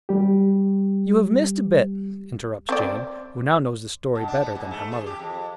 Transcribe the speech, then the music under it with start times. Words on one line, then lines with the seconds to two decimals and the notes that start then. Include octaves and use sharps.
"You have missed a bit," interrupts Jane, who now knows the story better than her mother.
0.09 G3 G4
2.69 C4 C5 D5
4.15 B2
4.28 D4
4.41 B3
4.55 G#2
4.71 A3
4.92 G#4
5.06 G4
5.19 F2